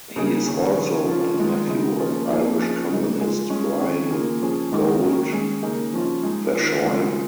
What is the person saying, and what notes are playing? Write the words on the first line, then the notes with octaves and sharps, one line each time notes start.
He is also the nephew of Irish communist Brian Goold-Verschoyle.
C#3 A#3 D#4 G#4
D#3 C#4 G#4
C#3 F3 C#4 F4 G#4
F3 C#4 F4
D#3 G#3 F4
C#3 G#3 D#4
F3 A#3 C#4 F4 G#4
F3 A#3 D#4 G#4
F3 C#4 G#4
C#3 F3 G#3 D#4 G#4
G#3 F4 G#4
G#3 C#4 G#4
D#3 C#4 G#4
C#3 A#3 F4 G#4
F3 C#4 G#4
D#3 G#3 D#4 G#4
D#3 A#3 C#4 G#4
G#3 C#4 G#4
C#3 A#3 D#4 G#4
F3 C#4 F4
G#3 D#4 G#4
D#3 A#3 F4
C#3 G#3 F4 G#4